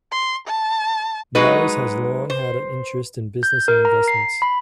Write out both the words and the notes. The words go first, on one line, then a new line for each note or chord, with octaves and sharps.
Myers has long had an interest in business and investments.
C6
A5
F#3 G#3 D#4 F#4 B4
C5
G6
A#4
A#5
C7
B5